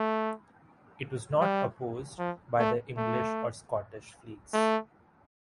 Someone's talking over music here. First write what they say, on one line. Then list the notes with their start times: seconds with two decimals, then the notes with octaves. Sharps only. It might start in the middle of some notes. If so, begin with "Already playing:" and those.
It was not opposed by the English or Scottish fleets.
Already playing: A3
1.41 G3
2.19 F3
2.59 A3
2.97 A3
4.54 A3